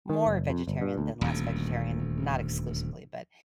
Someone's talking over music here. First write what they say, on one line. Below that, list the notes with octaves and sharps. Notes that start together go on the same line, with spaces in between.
more vegetarian than less vegetarian- not exclusively- but
D#3
F#1
F2
G1
G2
D2
D#1 D2